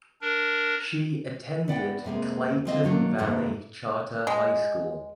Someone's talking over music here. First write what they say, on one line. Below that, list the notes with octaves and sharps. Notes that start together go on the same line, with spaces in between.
She attended Clayton Valley Charter High School.
D4 A#4
B3 D5 F#5 G5
F2 C3 G#3 A#3
F3 C4 D#5
D#3 F#3 A#3 D4
F2 G#2 C3 D#3 A3 A#3
G#3